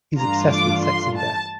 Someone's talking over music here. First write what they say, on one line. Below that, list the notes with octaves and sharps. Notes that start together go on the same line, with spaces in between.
He's obsessed with sex and death.
G2 E3 A3 D4 F4 A#5
D6
C6
A5